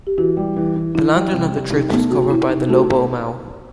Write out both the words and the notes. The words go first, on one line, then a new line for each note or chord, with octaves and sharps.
The landing of the troops was covered by the "lobo mau".
G4
E3 F#4
G3
E3
E3
E3 E4
G3
C3
G3
C3 D#4
A3 B3
C3 F#4
F#4
C3 E4
C3 D#4
A3 F#4